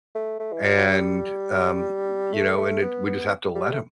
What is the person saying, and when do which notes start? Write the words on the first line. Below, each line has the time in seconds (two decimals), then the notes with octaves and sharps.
and, um, you know, and it we just have to let him.
0.15 A3
0.40 A3
0.53 E3
0.64 F#3
0.78 F#3
0.89 G3
2.33 A3
2.58 A3
2.82 B3
3.06 B3
3.55 G3
3.72 A3